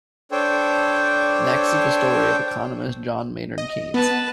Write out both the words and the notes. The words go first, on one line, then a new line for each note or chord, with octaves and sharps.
Next is the story of economist John Maynard Keynes.
D4 A4 C5 C#5 G5
D#5
B3 B4 A5